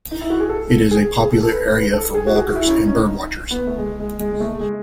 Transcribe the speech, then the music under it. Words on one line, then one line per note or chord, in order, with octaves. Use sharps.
It is a popular area for walkers and bird-watchers.
D#4
E4
F#4
G#4
A4
G#4
G#4
A4
A4
B4
B4
A4
G#4
F#4
G#4
F#4
E4
C#4
D#4
C#4
D#4
B3
A3
G#3
G#3
G#3
G#3
A3
G#3